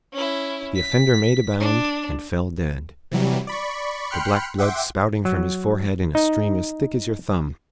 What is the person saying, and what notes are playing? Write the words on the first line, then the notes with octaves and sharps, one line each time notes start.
The offender made a bound and fell dead, the black blood spouting from his forehead in a stream as thick as your thumb.
C#4 E4
B6
D4
C3 E3 F#3 G3
D5 B5 C#6
G5 B5 C6 F6 F#6 C#7
E5 F#5 G5 C6 D6
F#3
D#4